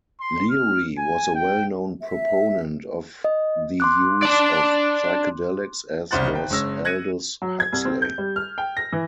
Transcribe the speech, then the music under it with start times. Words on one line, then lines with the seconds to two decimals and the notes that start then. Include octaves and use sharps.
Leary was a well-known proponent of the use of psychedelics, as was Aldous Huxley.
0.20 C6
0.51 F6
0.98 G#5
1.35 G5
2.02 E5
3.24 D#5
3.80 C6 D6 F#6
4.23 D4 D5
6.11 C2 C#3 C5 F#5 F#6 A6
6.33 G#1 G5
6.50 F#1 G#3 C#4 E6 A#6
6.85 F#6 G#6 A#6 C#7 D#7
7.42 F#3
7.60 G#6
7.73 C2
7.85 C4
8.02 G6
8.18 G3
8.36 F6
8.58 G5
8.77 A#6
8.93 E3